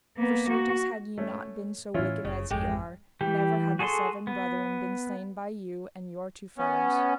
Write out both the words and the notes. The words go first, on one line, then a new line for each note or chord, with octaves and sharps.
For certes had ye not been so wicked as ye are, never had the seven brethren been slain by you and your two fellows.
A#3 B3
F#4
A3 C#4
A2 E3 C#4 E4 F4
F#1 C#3
G#1 F2 G#3 A3 G4
E3 G3 G4
F#4 G#4 A4 D5 C6
B3
B3 C#4